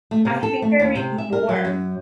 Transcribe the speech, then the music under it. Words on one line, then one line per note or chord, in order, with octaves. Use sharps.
I think I read more.
A3
C3
A4
A3
D#2
C3
E5
A#4
F#3
F#2